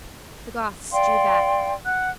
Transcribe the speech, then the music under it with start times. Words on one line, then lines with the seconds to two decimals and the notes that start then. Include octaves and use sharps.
The Goths drew back.
0.91 D5 F5 G5 C6
1.85 F#5 F#6